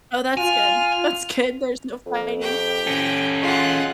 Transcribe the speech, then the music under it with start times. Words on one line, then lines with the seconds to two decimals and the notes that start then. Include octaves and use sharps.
Oh, that's good. That's good, there's no fighting.
0.37 F4 G#5 F6
2.06 F2
2.41 G4 G5
2.87 C#4 A4
3.42 G#3 F4 F#5